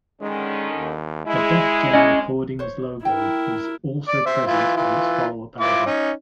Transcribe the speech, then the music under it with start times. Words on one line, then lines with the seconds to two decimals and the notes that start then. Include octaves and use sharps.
A Def Jam Recordings logo was also present on its follow-up album.
0.21 D3 D#3 G#3 C#4
0.77 D#2
1.26 G#3 E4
1.93 C#4 D#5
2.59 C5 C#5
3.05 E4 A#4 G5
4.08 D5
4.26 C5 E5
4.47 E3 E4 F4
4.77 E3 F4
5.60 E4 F4 D6
5.86 C#4 D#4